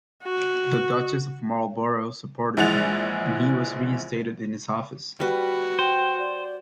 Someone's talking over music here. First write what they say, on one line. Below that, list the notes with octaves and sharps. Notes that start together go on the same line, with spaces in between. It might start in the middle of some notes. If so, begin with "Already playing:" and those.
The Duchess of Marlborough supported him, and he was reinstated in his office.
F#4
A#1 E3 G#3 F#5 A6 F7
G3 F#4 B4 B5
C5 G5
D5